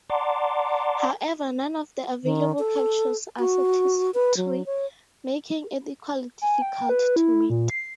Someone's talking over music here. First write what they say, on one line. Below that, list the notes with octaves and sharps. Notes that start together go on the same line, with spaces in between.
However, none of the available captures are satisfactory, making it equally difficult to meet.
D5 F#5 A5 A#5 C6 D6
D#3
A4
F#4
B4
F#3
C#5
G#5
G5
B4
E4
A#2
C7